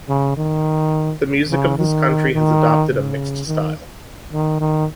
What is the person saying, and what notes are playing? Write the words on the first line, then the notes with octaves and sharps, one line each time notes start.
The music of this country has adopted a mixed style.
C#3
D#3
C#3
D#3
D#3
C#3
D#3
D#3
D#3